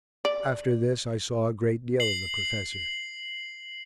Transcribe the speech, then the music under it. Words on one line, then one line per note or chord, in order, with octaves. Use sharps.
After this I saw a great deal of the professor.
D5
C7 F#7